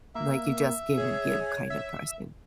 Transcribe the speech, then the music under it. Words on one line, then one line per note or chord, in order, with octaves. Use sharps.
Like, you just give and give kinda person.
A#3 E5
G#4 C#5
E5